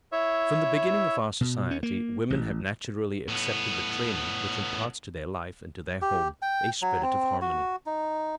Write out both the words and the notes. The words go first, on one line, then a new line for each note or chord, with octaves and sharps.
From the beginning of our society, women have naturally accepted the training which imparts to their life and to their home a spirit of harmony.
E4 C#5 E5
B2
C#4
A#3
A1
A2 B3
G4
G5
F#3
C4
F#4
D#4